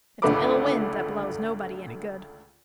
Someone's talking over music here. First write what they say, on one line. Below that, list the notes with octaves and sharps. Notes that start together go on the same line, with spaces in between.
"It's an ill wind that blows nobody any good."
G#1 C#2 D3 A3 B4 D6